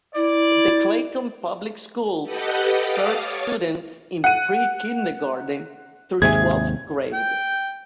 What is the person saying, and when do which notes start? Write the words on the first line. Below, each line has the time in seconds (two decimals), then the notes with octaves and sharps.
The Clayton Public Schools serve students in pre-kindergarten through twelfth grade.
0.15 E4 D5
2.24 G4 A4 B4 D#5 F#5 G5
2.80 F5 A5 D6 D#6 F6
3.18 C#5 A6
4.24 F#5 D#7
6.22 D#2 G#2 C3 G#4 E5 G#5 G#6
7.14 G5